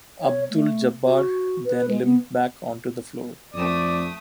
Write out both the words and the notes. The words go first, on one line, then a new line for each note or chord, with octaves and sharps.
Abdul-Jabbar then limped back onto the floor.
C#5
A3
F#4
B4
G#3
B3
F2 A3 D5 D#6